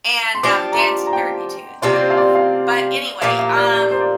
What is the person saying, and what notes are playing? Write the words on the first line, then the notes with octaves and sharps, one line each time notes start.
And, um, Dancing Dirty too the other one. But anyway, um,
C6
F3 D4 G4 D6
A#5
C6
A#5
G5
C3 G3 C4 F4 D5
D5
C5
F5
D5
F5
A#2 F3 A#3 G4 F5
F5
D5
D5
C5
D5